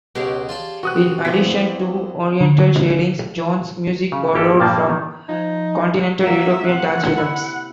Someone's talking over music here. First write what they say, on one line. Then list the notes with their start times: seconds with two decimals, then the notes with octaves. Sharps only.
In addition to oriental shadings, Jones's music borrowed from continental European dance rhythms.
0.15 C#2 B2 G4 G#4 C#5
0.49 F4 D5 A5
0.83 C3 E3 F#4 D#6 F#6
1.25 E2 E3 F3 C4 B6
2.41 D3
4.12 C#3
4.34 G#1 A#3 G4 A4
4.59 G2 A#2 F3 G3 A#3 A5
4.89 D#3
5.29 F3 D#4
6.23 F#3 A#3 E5
6.69 C3 F#5
7.17 E4